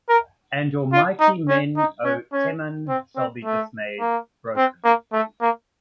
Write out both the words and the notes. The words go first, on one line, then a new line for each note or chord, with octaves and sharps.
And your mighty men, O Teman, shall be dismayed - broken.
A#4
F4
D#4
C#4
D#4
C#4
C#4
C4
C4
A3
A#3
C4
A#3
A3
A#3